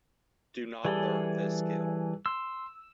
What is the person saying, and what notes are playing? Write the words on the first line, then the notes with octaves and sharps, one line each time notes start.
Do not learn this skill.
E3 G3 G#4 A4
C6 E6